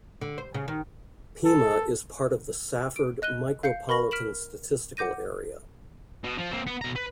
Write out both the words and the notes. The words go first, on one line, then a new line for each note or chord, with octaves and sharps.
Pima is part of the Safford Micropolitan Statistical Area.
D3
C5
C#3
D#3
A4
D7
D#5 F#6 D#7 G7
F5 G6 C7 C#7
A#4 B5 C#6 A#6 F#7
F6 B6 D7 E7 F#7
F#5 D6 G6 A#6 D#7
B2
F3
A#3 C4
B3
B2 A#5
B4